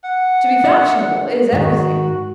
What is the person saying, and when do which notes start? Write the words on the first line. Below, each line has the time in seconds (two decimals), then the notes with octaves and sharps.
To be fashionable is everything.
0.04 F#5
0.64 D4 D5 E5
1.52 G#2 D#3 F#4